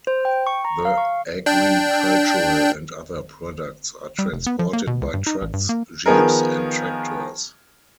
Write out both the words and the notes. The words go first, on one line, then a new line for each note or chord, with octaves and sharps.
The agricultural and other products are transported by trucks, jeeps and tractors.
C5
G5
C#6
A#5
F5
C#6
D4 G5
G3
F1
B3
F3
A#3
B2
C#2
G2
D#4
A1
G2
A#3
D#3 F3 B3 G#4 A#4